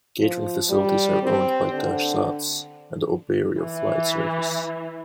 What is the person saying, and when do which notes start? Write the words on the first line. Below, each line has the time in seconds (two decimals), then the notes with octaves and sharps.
Catering facilities are owned by Taj-Sats and Oberoi Flight Services.
0.19 F3
0.69 G3
1.23 C4
1.74 D3
3.59 E3